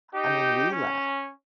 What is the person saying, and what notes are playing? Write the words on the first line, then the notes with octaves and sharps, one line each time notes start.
I mean, we laugh,
D#4 G4
C#4